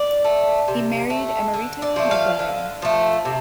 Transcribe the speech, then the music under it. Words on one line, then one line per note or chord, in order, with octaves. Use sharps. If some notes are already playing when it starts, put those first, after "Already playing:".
He married Emerita Maglaya.
Already playing: D5
A3
C3
A3
D3
D5
F3 A3
F5
D3
F3 A3
C3